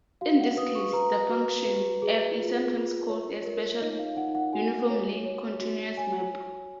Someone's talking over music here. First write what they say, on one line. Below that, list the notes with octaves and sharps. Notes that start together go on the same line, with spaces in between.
In this case, the function "f" is sometimes called a "special uniformly continuous" map.
F#4 F5
F#5
B4 D#6
C#6
B4 A#5
F#4
B4
G#4
F4
F4
C#5
A#4
D#4 D#5
F5
D#4 F#5
F#5
F#4 G#5
C#5
C#5
F#4
C#5 G#5